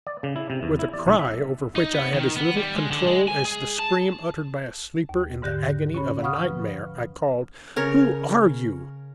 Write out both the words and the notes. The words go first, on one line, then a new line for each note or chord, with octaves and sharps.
With a cry, over which I had as little control as the scream uttered by a sleeper in the agony of a nightmare, I called: "Who are you?"
D5
C#3
E4
C3
E2
E4
D5
B1
E5
D#4
B3
D#3
B3
G3
G#3
D3
G#3
G#5
G#4
A5
D#2
G#2 D3 G4 F#6 A#6
C#4 C#5 B5
F5 F#5 B5 C#6 D#6 F6
F3 B4
C#3 A#4 C#5